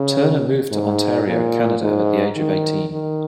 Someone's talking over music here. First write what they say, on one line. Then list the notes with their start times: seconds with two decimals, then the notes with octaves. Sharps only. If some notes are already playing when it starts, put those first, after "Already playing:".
Turner moved to Ontario, Canada at the age of eighteen.
Already playing: C#3
0.71 G#2
1.27 A#2
1.81 G#2
2.37 D#3
2.91 D#3